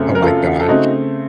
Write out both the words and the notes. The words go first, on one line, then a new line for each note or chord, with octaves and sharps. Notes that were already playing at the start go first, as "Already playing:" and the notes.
Oh my gosh.
Already playing: F#2 C#3 A3 C4
A#4
F4 A4
A4
C#3 A3 C4 D#4 F#4